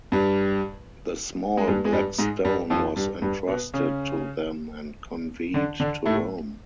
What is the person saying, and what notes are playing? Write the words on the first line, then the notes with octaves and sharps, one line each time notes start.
The small black stone was entrusted to them and conveyed to Rome.
G2 G3
G#3
G2 G3
G#3
G2 G3
G#2 G#3
G2 G3
F2 F3
G2 G3
G2 G3
B2 B3
C#3 C#4
D3 D4
D3 D4
A2 A3